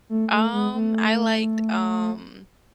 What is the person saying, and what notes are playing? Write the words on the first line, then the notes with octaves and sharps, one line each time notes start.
Um, I liked, um
A3
A3
G#3
A3